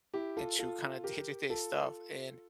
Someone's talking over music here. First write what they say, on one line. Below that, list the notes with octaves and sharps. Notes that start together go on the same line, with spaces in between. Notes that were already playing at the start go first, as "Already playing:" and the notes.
into kind of day-to day stuff, and
E4 G4
F4 A4
F4 A4
G4 A#4
F4 A4